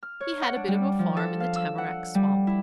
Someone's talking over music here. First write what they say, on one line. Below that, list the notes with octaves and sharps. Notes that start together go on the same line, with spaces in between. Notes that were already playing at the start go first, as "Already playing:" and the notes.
He had a bit of a farm in the tamarack swamp.
F6
C#5
F#5
D4
G3
F3
A4
F5
E6
F#5
G3
E4